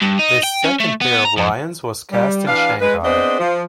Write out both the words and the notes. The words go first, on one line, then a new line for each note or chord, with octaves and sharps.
This second pair of lions was cast in Shanghai.
G2
D#4
G5
C#4
A3
B3
A#5
F2
G3
E3 D4 G4 B4 F5
G#3 B4
B3 C4 D4 G#4 C5 D#5
F3